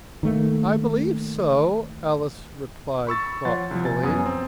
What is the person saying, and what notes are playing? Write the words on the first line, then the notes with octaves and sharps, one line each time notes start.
'I believe so,' Alice replied thoughtfully.
D#3 A3 A#3
B5 C#6 E6 A6
F3 C#5 F#5 C6 A6
C2 F3
C3 G#5 A6
F#2 B3 G#5 D#6
C4